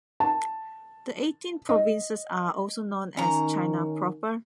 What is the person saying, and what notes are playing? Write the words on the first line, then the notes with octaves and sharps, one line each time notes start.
The eighteen provinces are also known as "China proper".
A5
D#5
D#3 C#4 A#5